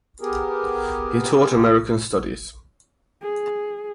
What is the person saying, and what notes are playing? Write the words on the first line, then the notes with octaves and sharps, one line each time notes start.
He taught American studies.
B3 G4 G#4 A#4
G#4